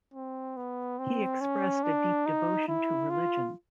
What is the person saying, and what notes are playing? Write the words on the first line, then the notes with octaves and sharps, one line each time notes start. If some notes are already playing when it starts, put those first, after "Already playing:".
He expressed a deep devotion to religion.
C4
B3
C4
C#4
D4
D#4
E4
F4